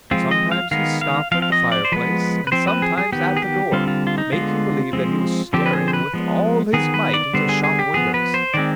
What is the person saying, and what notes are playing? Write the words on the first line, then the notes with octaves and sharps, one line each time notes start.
Sometimes he stopped at the fire-place, and sometimes at the door, making believe that he was staring with all his might into shop-windows.
F3 G#3 C4 F4
D#5
F5
D#3 G#3 B3 F5
F5
F3 C4 F5
F5
D#5
D5
C5
F3 G#3 B3 B4
B4
F3 C4 C5
B4
G#4
G#4
D#3 B3 G4
G#4
G4
D3 G3 C4 F4
F4
F4
D#4
D3 G#3 B3 F4
F3 G#3 C4
D3 F3 C4 G4
B4
G#4
C5
B4
F3 G#3 B3
D#3 B3 G#4
B4
D5
D3 G3 B3 C5
G#4
G#4
G4
F3 B3 G#4
B4
C5
D#3 G#3 C4 D5